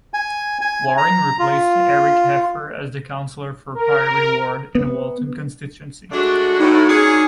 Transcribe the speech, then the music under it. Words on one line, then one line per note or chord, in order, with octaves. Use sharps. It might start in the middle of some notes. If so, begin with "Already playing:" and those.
Wareing replaced Eric Heffer as the councillor for the Pirrie ward in Walton constituency.
G#5
G#5
A#5
F4
A#4
B3
G#3 A3 D4 F#4
A2 D#4
C#4 D4 G#4